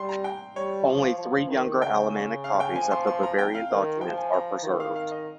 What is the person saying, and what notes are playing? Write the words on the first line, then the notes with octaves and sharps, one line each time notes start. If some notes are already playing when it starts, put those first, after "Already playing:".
Only three younger Alemannic copies of the Bavarian document are preserved.
Already playing: G3 C6
A#5
G5
G3 C#5
F3
F3
D#3
C#3 G5
F5
G5
F3 G#5
C6
C6
A#5
G5
F5
D#3
F3 G5
G#5
A#5
D#3
F5
F5
D#5